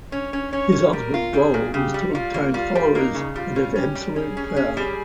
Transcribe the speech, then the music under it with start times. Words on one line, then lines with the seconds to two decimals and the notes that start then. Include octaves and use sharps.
His ultimate goal is to obtain followers and have absolute power.
0.12 C#4 C#5
0.33 C#4
0.52 C#4 C#5
0.72 C#4
0.93 G3 A#4
1.14 F4
1.34 G3 G#4
1.54 A#2
1.74 C#3 G4
1.94 G3
2.14 G3 F4
2.34 A#3
2.54 G3 F4
2.75 G3
2.95 A#3 D#4
3.15 C#3
3.36 G3 F4
3.56 C#4
3.76 C#4 G4
3.95 G3
4.16 C#4 G#4
4.37 C#4
4.56 C#4
4.77 G3